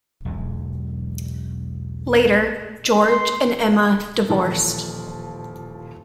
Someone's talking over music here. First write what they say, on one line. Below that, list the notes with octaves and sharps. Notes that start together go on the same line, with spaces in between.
Later George and Emma divorced.
B1 E2 G#3
C6
D#1 E3 F3 F4 A5